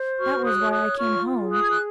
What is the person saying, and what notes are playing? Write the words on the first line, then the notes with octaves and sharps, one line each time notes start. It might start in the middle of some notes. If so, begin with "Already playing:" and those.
That was why I came home.
Already playing: C5
F#4 C#6 F6
D#6 F#6
C#5
D#6 F#6
F4 C#6 F6
G#4
D#6 F#6
G#6
F#6